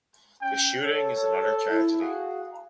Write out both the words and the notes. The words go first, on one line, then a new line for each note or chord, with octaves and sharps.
This shooting is another tragedy.
C#4 G5
A4 C#5
A4
E4
F#4 G#4 F5